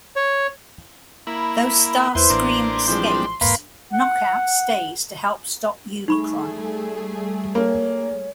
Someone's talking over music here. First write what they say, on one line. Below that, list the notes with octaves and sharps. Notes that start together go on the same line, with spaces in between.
Though Starscream escapes, Knock Out stays to help stop Unicron.
C#5
A#3 E4 B5
E2 A#3 E4 B4 C5 C6
A1 A#3 D4
E3 F3 G3 G#3 C4 D4
E1 G#2 A#3 B4 F5 C6
F#5
G3 A3 D#4 G#4 B5 C#6
A#3 C#5